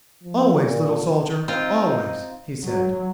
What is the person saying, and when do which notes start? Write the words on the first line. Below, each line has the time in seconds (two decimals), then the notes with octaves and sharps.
"Always, little soldier, always," he said.
0.23 F3
0.61 A#2
1.48 C4 D#4 F4
2.63 F#3